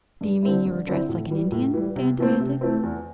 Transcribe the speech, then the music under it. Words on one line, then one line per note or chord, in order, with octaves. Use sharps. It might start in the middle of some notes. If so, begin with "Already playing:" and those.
'D'you mean you were dressed like an Indian?'Dan demanded.
G2
D3 C4 E4
G2
D3 C4 E4
A2
E3 G3
A2
E3 G3
C3
E3 A3 C4
C3
E3 A3 C4
E2